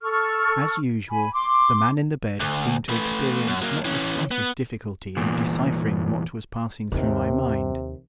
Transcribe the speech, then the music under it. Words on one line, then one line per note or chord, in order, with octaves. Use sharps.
As usual, the man in the bed seemed to experience not the slightest difficulty in deciphering what was passing through my mind.
A4 C#6 F6
G#5 B5
C6 D6
D2
A3 B4
F#2
F#3 A#3
E3 C#4
B3
E2 A#2
D#2 C3 D#3